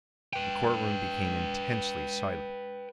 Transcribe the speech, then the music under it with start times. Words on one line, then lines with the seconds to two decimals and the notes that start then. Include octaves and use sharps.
The courtroom became intensely silent.
0.33 B4 G5